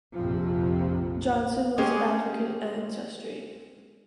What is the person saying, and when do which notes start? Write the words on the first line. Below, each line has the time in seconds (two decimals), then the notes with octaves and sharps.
Johnson was of African ancestry.
0.15 A#1 F2 C3 F3
1.78 G#3 C#4 G4 G#4 D#5